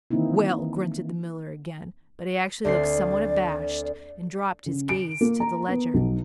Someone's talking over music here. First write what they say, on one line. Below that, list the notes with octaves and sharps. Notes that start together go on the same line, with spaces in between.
"Well!" grunted the miller again, but he actually looked somewhat abashed and dropped his gaze to the ledger.
D#3 E3 A#3 C4 D#4 E4
D2 C4 D5 C7
C#3
D7
A#3
A#5
B3
B1